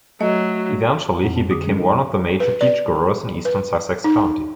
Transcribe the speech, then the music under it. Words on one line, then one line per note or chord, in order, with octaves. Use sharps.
Eventually he became one of the major peach growers in eastern Sussex County.
F#3 A3 D#5
F2 C4 F#5 A#5
A5
D3 G#4 D6 D#6
F#3 G#3 C#4
D#4 A4 A#4 D#5
B4
D5
B4
D#4